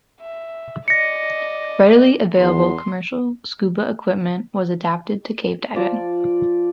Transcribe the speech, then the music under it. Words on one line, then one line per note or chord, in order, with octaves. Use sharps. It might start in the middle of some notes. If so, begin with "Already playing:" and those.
Readily available commercial scuba equipment was adapted to cave diving.
E5
D5 D#5 A#6 C#7
E2 C6
F3 D5